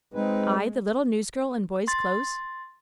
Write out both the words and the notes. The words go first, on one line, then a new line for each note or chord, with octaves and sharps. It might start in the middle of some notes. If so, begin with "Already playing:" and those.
I, the little newsgirl in boy's clothes?
G#3 C4 D#4 B4
C6 A6